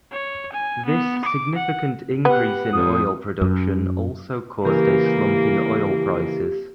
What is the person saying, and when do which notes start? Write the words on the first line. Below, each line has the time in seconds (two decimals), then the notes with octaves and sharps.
This significant increase in oil production also caused a slump in oil prices.
0.12 C#5
0.53 G#5
0.86 B3
1.25 D6
1.56 F#5
2.25 B3 G4 B4 F#5
2.73 F2 F4 D#6
3.41 F#2
4.65 C#3 E3 A#3 G4 A#4